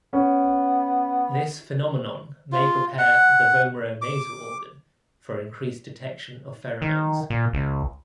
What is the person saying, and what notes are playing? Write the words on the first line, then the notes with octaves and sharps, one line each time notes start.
This phenomenon may prepare the vomeronasal organ for increased detection of pheromones.
B3 C#4
F4
F#5
D6
D#3
A#2
C#2